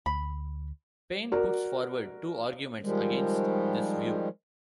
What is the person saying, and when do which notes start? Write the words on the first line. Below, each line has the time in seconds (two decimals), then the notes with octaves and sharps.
Paine puts forward two arguments against this view.
0.06 D2 B5
1.32 F#4 A#4 D5
2.82 D#3 F3 G3 G#3